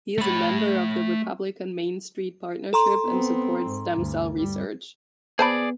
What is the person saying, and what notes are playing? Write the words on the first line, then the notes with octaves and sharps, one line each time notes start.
He is a member of the Republican Main Street Partnership and supports stem-cell research.
A3 B5
A4 A#5 C6
B3 C4
G#2
D2 G2
G2 G3
B3 G#4 C5 D5 A5 B5